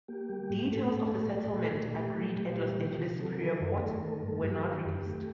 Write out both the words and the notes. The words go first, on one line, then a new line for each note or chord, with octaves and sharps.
Details of the settlement, agreed at Los Angeles Superior Court, were not released.
A#3 G4
G3
A2
A2 A3 A4
A3
A2
A#2
A3
A#2
A3 G4
F#3
A#2
G3
D#3
C3
F#3 A4
A#4
D#3 A4
A#4
F#2 A4
A#4
A3 A4
A#4
D#3
A4
A#4
G2
A3 A4
F#3 G4
D#3
F#2
A3